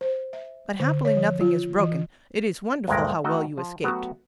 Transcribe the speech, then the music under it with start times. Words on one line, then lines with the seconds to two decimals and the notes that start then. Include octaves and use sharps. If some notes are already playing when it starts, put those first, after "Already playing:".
"But happily nothing is broken. It is wonderful how well you escaped!"
0.01 C5
0.33 E5
0.80 D3
1.05 C#5
1.17 F3
1.41 F4
1.79 E3
2.88 D2 G2 A#2 G#3 A3 A#4
3.24 D#3 A3 F#4 A4 D#5 G5
3.58 F3
3.83 F#3 A3 B3 F#4 G4